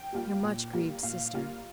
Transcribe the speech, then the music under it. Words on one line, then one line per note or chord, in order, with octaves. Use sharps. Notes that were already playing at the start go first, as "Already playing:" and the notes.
'Your much grieved sister.'
Already playing: G5
G3 A#3 F4
A#2
G3 A#3 F4
A#2 F5
G3 A#3 F4